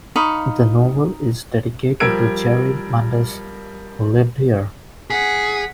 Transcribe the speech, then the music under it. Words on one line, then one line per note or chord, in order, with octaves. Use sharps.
The novel is dedicated to Jerry Mundis, who lived here.
D#4 F5 B5 C#6
F3 G3 A#4 E6 G#6 D7
G#4 F#5 B6